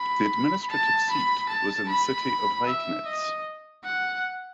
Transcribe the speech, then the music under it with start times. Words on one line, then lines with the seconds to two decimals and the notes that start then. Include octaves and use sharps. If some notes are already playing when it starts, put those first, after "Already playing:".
The administrative seat was in the city of Liegnitz.
Already playing: B5
0.71 A5
1.10 B5
1.49 A5
1.89 B5
2.67 E5
3.06 D#5
3.85 F#5